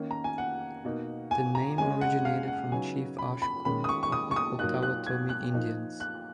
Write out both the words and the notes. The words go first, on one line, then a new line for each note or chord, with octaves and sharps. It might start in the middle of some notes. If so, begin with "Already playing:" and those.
The name originated from Chief Ashkum of the Potawatomi Indians.
Already playing: D#3 A#3 C#4
A#5
G#5
F#5
B2 A#3 D#4
G#5
A#5
C#3 G#3 C#4 G#5
F#5
F5
F#5
C#3 F#3 B3 D#4 G#5
B5
B5
D#3 G#3 C#4 B5
D#6
C#6
C#6
D#6
C#6
D#6
A#2 F#3 A#3 D#4 F#6
F#6
G#6
F#6
F3 A#3 D#4
F#6